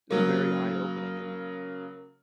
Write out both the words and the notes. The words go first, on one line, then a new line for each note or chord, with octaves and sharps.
it was very eye opening, and
C#3 F#3 A#3